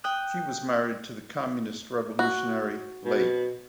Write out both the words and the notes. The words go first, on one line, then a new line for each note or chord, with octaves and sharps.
She was married to the communist revolutionary Late.
G5 D#6 F#6
F#4
B2